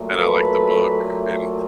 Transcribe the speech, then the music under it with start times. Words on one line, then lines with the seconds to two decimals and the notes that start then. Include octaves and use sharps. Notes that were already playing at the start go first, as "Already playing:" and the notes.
and I liked the book and
Already playing: A#2 F#3 A3
0.17 A4 B4